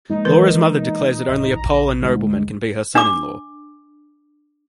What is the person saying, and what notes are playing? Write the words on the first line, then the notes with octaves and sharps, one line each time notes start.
Laura's mother declares that only a Pole and nobleman can be her son-in-law.
F3 G#3 A#3 D#4
E3 A#4 B4
D1
A#1 A#5
D2 G#2
D4 D6